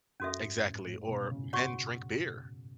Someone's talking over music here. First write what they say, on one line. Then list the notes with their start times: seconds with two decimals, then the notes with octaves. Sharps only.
Exactly, or men drink beer.
0.20 F#2 C#4 F#4 A4 E5
0.43 G#2
0.65 A2
0.86 A2
1.08 B2
1.31 C#3
1.53 F#4 C#5 F#5 C#6